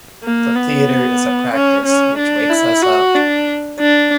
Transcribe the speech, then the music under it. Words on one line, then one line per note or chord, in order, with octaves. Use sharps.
The theatre is a practice, which wakes us up.
A#3
B3
C#4
C#4
D4
E4
F#4
D4
D4